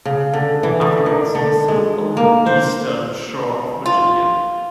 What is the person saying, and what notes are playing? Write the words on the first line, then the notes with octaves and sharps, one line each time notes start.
Afterwards, he settled on the eastern shore of Virginia.
C#3
D3
E3
D3
D#3
D3
G#3
A#3
C5
F4